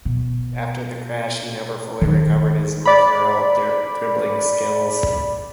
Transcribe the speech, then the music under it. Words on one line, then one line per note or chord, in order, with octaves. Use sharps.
After the crash he never fully recovered his mercurial dribbling skills.
B2
D#3 D#4
D5 B5